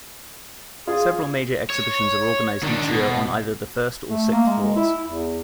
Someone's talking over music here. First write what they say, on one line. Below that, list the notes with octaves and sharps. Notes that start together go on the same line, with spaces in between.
Several major exhibitions are organised each year on either the first or sixth floors.
F4 G#4
C#5
D#3 D4
B2
A3
A#3
G#3
E4
E2